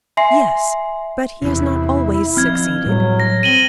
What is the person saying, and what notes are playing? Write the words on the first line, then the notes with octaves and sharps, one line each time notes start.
"Yes--but he has not always succeeded."
E5 G#5 C6 C7
E2 C3 E4
F3 C4 F6 G#6
A2 F#3 G3
A#6
C4 D#7 F#7 G7